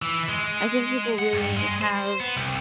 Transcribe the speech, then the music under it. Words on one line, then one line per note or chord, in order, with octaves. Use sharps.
I think people really have
E3
G#3
F#5
G2
G#3
C5
B3
C2